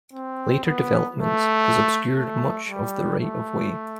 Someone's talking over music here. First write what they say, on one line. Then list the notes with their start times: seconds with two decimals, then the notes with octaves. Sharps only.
Later development has obscured much of the right of way.
0.14 C4
0.64 B3
1.15 A3
2.17 A3
2.69 G3
3.19 A3